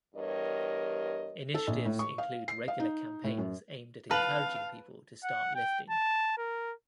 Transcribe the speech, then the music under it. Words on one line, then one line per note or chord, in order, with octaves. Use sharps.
Initiatives include regular campaigns aimed at encouraging people to start lifting.
E2 G2 G4 A#4 C#5 D#5
A4
A#1
A2
C#6
F5
C7
F5
D#4
A2
F#2
B4 F5 A5 F#7
F#5
G5
A5
A#4